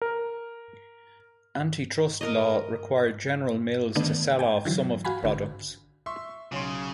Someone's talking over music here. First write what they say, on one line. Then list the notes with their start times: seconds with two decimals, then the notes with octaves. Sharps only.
Antitrust law required General Mills to sell off some of the products.
0.02 A#4
2.21 A#4 D#5
3.95 D3 D#3 A3 B3 D4
4.39 G5 G#5
4.65 D3 E3 F#3
5.05 F#4 F5 G#5 B5
5.23 A1 D3
6.06 E5 C6 C#6
6.52 B1 C#3 C#5 C6